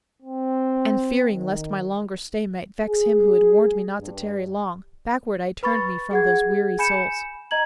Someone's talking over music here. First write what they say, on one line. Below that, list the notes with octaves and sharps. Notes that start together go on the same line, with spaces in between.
And fearing lest my longer stay might vex Him who had warned me not to tarry long, Backward I turned me from those weary souls.
C4
D#3
G#4
G2
B4 B5 C#6 A6
G#4 F#5 G#6
G#5 B5 G6 C#7 E7
D#5 A#5 G#6 F#7